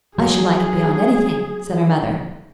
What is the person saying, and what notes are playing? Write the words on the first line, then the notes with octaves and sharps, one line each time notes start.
"I should like it beyond anything!" said her mother.
F#3 G#4